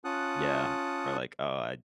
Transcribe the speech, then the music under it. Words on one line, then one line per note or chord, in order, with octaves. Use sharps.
Yeah, or like, oh, I
C#4 F4 F#5 A5 D#6 F#6